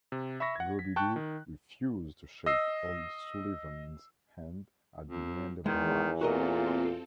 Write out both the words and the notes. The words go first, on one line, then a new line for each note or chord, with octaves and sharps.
Robidoux refused to shake O'Sullivan's hand at the end of the match.
C3
E5 B5 C#6 A#6
F#5 G#6
B6
G5 A5 C#6 F#6
D#3
D#5 E6 C7
F2
E2 D#3 G#3
A#2 C4 F4 F#4 A4 A#4 D#5